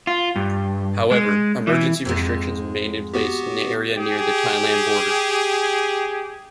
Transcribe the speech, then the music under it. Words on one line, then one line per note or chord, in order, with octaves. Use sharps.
However, Emergency restrictions remained in place in the area near the Thailand border.
F4
G2
G#3
E3
F2 G#2 G#3
B3 F#4 G4
G4 G#4